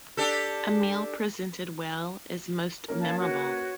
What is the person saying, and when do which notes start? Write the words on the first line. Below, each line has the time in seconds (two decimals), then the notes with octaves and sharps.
A meal presented well is most memorable.
0.17 D4 G4 A4
2.88 A#3 C#4 A#4
3.00 C#5 F5 A5
3.19 F#4 B4 C#5